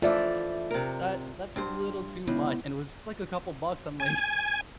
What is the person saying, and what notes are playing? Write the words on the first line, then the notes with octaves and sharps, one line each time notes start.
"Uh, that's a little too much," and it was just like a couple bucks, I'm like,
E3 F3 A3 F4 D5 E5
C3 A#4
G2 C5
C#2 B3 E4
G#5